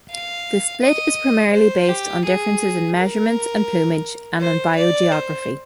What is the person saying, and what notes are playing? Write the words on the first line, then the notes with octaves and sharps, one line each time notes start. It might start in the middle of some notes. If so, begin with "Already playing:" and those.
The split is primarily based on differences in measurements and plumage, and on biogeography.
F5
D#5
C5
G4
G#4
A#4
C5
D5
C5